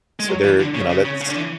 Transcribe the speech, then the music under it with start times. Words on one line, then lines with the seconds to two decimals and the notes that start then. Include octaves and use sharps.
So they're you know, that's
0.19 G#3
0.28 F#3
0.44 E3
0.59 D3
0.74 C#3
0.90 C#3
1.05 C#3
1.21 C#3
1.30 D3
1.36 E3